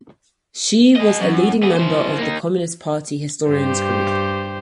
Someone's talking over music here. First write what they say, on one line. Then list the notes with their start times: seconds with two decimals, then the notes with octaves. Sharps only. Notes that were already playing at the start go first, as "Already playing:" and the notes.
She was a leading member of the Communist Party Historians Group.
0.96 G4 D#5
1.20 F#2
1.63 B3 G#4
1.77 E4 C5
2.18 A#3 D#4
3.50 G2 G4 C5